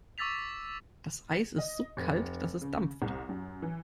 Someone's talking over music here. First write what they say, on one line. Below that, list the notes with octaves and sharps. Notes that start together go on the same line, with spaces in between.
Das Eis ist so kalt, dass es dampft.
C#6 D6 E6 A6 B6 F7
D#5
F1
C#3
C2
F#2
E3